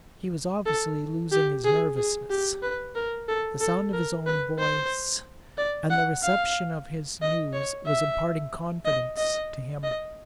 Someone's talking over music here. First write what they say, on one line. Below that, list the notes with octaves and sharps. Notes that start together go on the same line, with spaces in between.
He was obviously losing his nervousness; the sound of his own voice and the reception of his news was imparting confidence to him.
A4
G4
G#4
G#4
G4
B4
A#4
A4
A4
A#4
B4
C5
D5
F#5
F5
D#5
C#5
E5
D#5
D#5
D#5